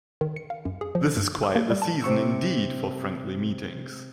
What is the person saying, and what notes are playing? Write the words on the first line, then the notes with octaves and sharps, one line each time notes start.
This is quite the season indeed for friendly meetings.
D#3
C#7
F5
F#2
G#4
F3
G2
E6
A#3
G3
A5
C3 C#6 E6